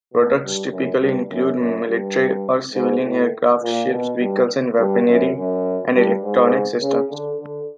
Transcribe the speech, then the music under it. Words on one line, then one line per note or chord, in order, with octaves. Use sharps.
Products typically include military or civilian aircraft, ships, vehicles, weaponry, "and" electronic systems.
B2
G2
F#2
G2
F#2
F#2
G2
G#2
A2
A#2
B2
G2
G2
F#2
F#2
G2
G#2
C#3
D3
D3